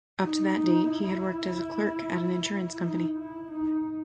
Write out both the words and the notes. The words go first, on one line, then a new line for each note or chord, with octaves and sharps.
Up to that date, he had worked as a clerk at an insurance company.
D#4
D#4
E4
D#4
E4
D#4